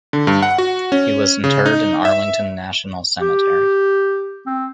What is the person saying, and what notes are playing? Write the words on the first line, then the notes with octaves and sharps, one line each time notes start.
He was interred in Arlington National Cemetery.
D3
G2
F#5
F#4
C#4
C#3
D#4
E5
G4
C4